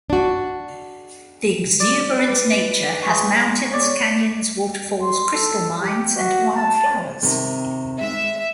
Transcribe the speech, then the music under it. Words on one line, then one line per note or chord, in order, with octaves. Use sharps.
The exuberant nature has mountains, canyons, waterfalls, crystal mines, and wildflowers.
D4 F#4
D5
B4
G#3 G#5 C#6
C#5 D5
C6
A4
G4
F#4
A5
C3 D#3 C4
G#3 E5